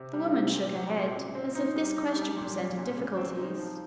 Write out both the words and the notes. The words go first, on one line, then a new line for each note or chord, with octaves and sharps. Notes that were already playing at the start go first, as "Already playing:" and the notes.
The woman shook her head as if this question presented difficulties.
Already playing: C3
G3
C3
A#2
C4
A#2
C#3
C4
D#4
G3
D#4
G3
A#2
C#4
A#2
C#3
C4
D#4
F3